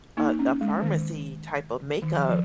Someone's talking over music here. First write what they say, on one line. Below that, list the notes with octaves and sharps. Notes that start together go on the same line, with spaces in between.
a a pharmacy type of makeup
A#3 D#4
C#4
G#3
D#3
D#3
F3
F3